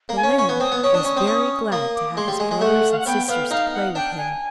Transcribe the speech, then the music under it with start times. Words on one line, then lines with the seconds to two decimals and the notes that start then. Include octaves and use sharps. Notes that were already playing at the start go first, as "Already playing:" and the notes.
The Lamb was very glad to have his brothers and sisters to play with him.
0.09 A#3
0.17 G#5
0.23 C#4
0.38 C#4 C#6
0.49 B3
0.60 C4 D#6
0.72 B3
0.84 C#4 D#6
0.94 D4
1.05 C#4
1.17 C4
1.27 C#4
1.72 A#3 D#6
1.95 D6
2.17 G#3 C6
2.28 G3
2.39 G#3 G#5
2.51 G#3
2.61 A3 F#5
2.91 F5
2.99 F#5
3.06 B3 G5
3.28 B3 F5
3.51 D#4 F5
3.73 F#5
3.95 D4 G5
4.18 G#5